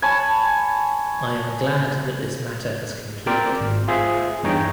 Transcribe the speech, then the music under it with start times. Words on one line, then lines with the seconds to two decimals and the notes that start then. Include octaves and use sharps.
I am glad that this matter has concluded.
0.02 C#5 G#5 A5 B5
3.27 C4 A#4 C5 D5 G5
3.60 G#1
3.88 F4 G#4 C5 E5
4.43 E2 G2 D#4 C#5 D#5 G5